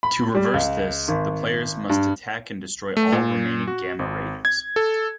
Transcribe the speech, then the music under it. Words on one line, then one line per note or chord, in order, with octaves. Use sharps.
To reverse this, the players must attack and destroy all remaining Gamma Raiders.
B5
G3
C#2
G#1
G2
A3
A#2
F#4
G#1
G#6
A4